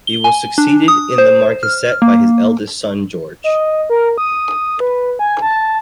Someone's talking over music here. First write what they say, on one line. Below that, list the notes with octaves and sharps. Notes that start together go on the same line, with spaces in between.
He was succeeded in the marquessate by his eldest son, George.
G7
G#5
D4
D#6
C5
F6
A#3
D#5
A#4
D#6
B4
G#5
A5